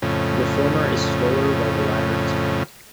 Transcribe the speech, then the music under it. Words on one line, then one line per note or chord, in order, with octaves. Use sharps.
The former is slower while the latter is frantic.
F2 A2 C#3